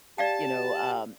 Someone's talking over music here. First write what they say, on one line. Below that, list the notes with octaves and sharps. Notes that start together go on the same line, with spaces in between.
you know, um,
G4 D5 F5 G5 A5